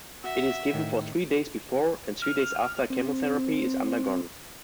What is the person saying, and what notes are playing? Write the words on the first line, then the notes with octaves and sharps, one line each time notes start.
It is given for three days before, and three days after chemotherapy is undergone.
F#4 E5
A2 D#3
F6
C4